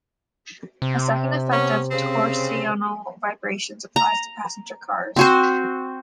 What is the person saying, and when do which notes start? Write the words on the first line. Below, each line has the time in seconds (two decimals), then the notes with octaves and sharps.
A second effect of torsional vibrations applies to passenger cars.
0.82 C3
1.51 B3 C#4
1.91 C#3 C4
3.96 A#5
5.16 C4 F#4 C5